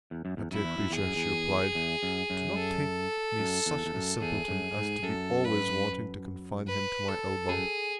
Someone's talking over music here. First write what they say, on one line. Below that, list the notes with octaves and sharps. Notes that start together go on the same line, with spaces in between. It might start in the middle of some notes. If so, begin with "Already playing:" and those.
My dear creature," she replied, "do not think me such a simpleton as to be always wanting to confine him to my elbow.
E2
F#2
E2
F#2 E4
E2
F#2
E2 G#4
F#2
E2
E2
F#2
F#2
A4
F#2
E2
E2
F#2
E2 G#4
F#2
G#2
F#2 A4
B4
B4
A4
F#2 G#4